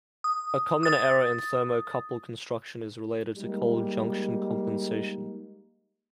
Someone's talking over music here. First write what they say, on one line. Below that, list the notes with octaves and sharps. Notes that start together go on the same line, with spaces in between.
A common error in thermocouple construction is related to cold junction compensation.
D#6
D#6 A6
G3 G#3 A#3 D#4